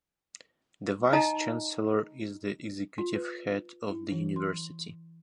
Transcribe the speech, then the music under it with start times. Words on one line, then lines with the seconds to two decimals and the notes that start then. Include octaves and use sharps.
The Vice Chancellor is the executive head of the university.
1.13 D#4 D#5 G5 A5 A#5
2.98 F4
3.15 B4
3.90 E4
4.12 E3
4.36 C6